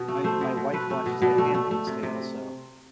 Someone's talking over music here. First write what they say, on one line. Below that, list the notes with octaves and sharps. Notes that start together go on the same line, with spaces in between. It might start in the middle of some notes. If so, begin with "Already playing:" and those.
My my wife watches The Handmaid's Tale, so
Already playing: B2
A3
A3 C5
B2
B2
A3 B4
A3
B2
B2 D5
A3
A3
A3
C3
C3